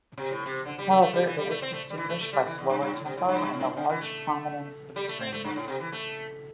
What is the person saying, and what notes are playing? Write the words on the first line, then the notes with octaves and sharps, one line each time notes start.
However, it was distinguished by slower tempo, and the large prominence of strings.
C3
A2
C3
D3
G3
A3
A3
G3
E3
G3
A3
C4
A3
G3
E3
A3
A3
G3
E3
E2
G2
G2
A2
C3
A2
G2
A2
G2
A2
G2
A2
D3
E3
A3
G3
A3
C4
A3
G2
A2
C3
E3
A3